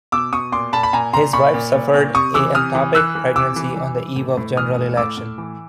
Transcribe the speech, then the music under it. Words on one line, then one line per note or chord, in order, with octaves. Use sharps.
His wife suffered a ectopic pregnancy on the eve of the General Election.
B2 D6 E6
B2 C#6 D#6
A#2 C6 D6
A#2 A5 B5
B5
A#2 G#5 A#5
A#2 A#5 C6
A#2 B5 C#6
A#2
A#2
A#2
C3 C#6 D#6
E3 D6 E6
C3 D#6 F6
E3
E3 E6 F#6
E3
C3 D6 E6
E3
E3
E3
A2
A2
E3 D#6 F6
A2
A2 D6 E6
A2
E3